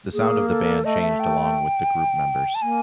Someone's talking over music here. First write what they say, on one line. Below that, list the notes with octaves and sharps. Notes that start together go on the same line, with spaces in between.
The sound of the band changed along with the group members.
A#3 G#4
A4
A3 D#5
E5
G5
A5
A#3 G#5